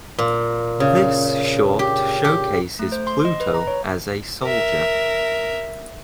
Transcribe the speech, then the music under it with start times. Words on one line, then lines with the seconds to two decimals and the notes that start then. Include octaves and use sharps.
This short showcases Pluto as a soldier.
0.19 A#2
0.80 C#3
1.79 G4
2.24 G4
2.79 A3
2.92 C5
3.07 C6
3.25 D#5
3.40 B4
3.54 A#5
3.67 C#5
4.43 A#4 E5